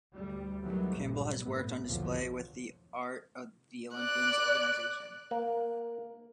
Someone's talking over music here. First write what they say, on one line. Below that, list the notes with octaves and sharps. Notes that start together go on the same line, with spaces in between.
Campbell has works on display with the Art of the Olympians organization.
D2 G3
D#3 E3 F#3 G3 A3 B3
A#1 G2 A#2
G1 A2 B3
F#1 B1 E2 D3 F3 F#3
D5 F#6
A#3